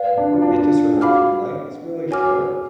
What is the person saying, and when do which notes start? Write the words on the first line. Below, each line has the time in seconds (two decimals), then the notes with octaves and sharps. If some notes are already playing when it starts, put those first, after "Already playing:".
you know, it just reminds me life is really short,
Already playing: B4 D5 F5
0.18 D4
0.32 F4
0.42 D4
0.53 F4
0.92 G#4
1.01 F#4 F5 B5 D6 F6
2.11 F#4 C#5 G#5 D6 F6
2.39 G#4